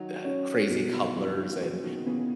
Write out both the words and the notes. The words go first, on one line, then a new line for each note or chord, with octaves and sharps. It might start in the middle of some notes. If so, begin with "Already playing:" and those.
the crazy colors and
Already playing: D#3 F#3
C#4
B2 E3 G#3
D#3 F#3
C#3 E3 F#3
C#3
B2 D#3
A#2 C#3 F#3
B2 D#3
C#3 E3 B3